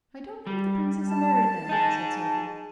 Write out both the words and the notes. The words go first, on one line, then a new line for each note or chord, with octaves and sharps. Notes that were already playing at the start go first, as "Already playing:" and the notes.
"I don't think the prince is a married man," said Sophy.
G3
A5
D#4 G#4